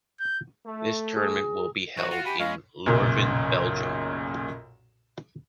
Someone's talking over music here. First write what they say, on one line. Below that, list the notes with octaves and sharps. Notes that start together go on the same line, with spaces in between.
This tournament will be held in Leuven, Belgium.
G6
A3
G#4
E3 F#3 F#4 C5
F4 F#5
G4 F#5 G#5 B5
G#3 C#4 D#5 F5 B5
B1 F#2 A#2 C#3